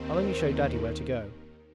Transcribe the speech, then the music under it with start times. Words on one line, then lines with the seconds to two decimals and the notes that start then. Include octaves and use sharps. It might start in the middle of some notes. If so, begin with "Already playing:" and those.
I'll only show Daddy where to go.'
Already playing: D#2 D#3 C4